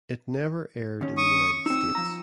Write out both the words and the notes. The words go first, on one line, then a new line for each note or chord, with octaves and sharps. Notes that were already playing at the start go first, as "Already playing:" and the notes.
It never aired in the United States.
D#2 D#3 C#4
C#6 D#6
C4 D#4 E6
F3 A#5